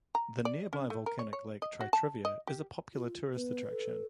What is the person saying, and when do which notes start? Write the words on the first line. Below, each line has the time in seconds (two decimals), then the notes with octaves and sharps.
The nearby volcanic lake Tritriva is a popular tourist attraction.
0.15 A#5
0.45 D5
0.73 C#4
0.90 A3
1.06 A#4
1.19 C#5
1.33 C#5
1.62 D#5
1.81 F#4
1.93 A5
2.25 D#5
2.47 G4
2.94 F4
3.34 B3 B4
3.70 A4